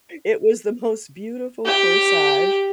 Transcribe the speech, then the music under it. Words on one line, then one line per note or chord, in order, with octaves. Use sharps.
it was the most beautiful corsage,
G4